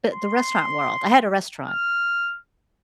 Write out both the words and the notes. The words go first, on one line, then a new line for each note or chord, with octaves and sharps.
b the restaurant world? I had a restaurant.
C6
F6